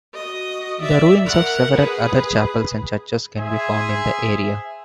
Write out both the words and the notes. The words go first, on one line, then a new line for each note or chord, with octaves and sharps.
The ruins of several other chapels and churches can be found in the area.
F#4 D#5
D5 E5
A#4 F#5
G#4 B4
G#4 C5 E5 G#5